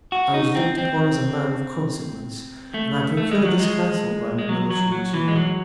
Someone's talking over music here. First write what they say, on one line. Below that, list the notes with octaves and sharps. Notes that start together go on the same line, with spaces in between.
I was look'd upon as a Man of Consequence, and I procur'd this Castle by my military Atchievements.
F#4
D#4
C4
C4
A3
A3
G#3
F#3
G#3
G#3
F#3
F#3
F#3
E3
G#3
F#3